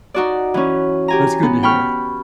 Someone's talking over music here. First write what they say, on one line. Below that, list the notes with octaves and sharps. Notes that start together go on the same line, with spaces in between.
That's good to hear.
D#4 F#4 D5
E3 C#4
G4 G#5 A#5
B3
G5 B5 C#6 F6